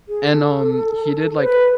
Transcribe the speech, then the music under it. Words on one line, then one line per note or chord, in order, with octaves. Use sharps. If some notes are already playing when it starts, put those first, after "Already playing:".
And, um, he did like
G#4
A4
C5
B4